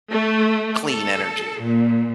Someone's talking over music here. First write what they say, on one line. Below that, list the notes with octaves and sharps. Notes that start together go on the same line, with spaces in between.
clean energy,
A3
A4
A#2